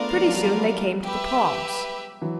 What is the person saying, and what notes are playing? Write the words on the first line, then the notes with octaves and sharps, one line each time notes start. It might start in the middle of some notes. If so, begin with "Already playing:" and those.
Pretty soon they came to the palms.
Already playing: A3 B3 D4 F4 A#4 D5 F5
F3
F#3
G3
F#3 G#3
G4 B4 E5
E3 F#3